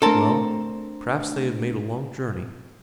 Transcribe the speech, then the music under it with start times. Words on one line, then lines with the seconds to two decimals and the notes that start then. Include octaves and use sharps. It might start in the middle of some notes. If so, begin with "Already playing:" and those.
Well, perhaps they have made a long journey.
0.02 A3 C4 D4 A4 A#4 A5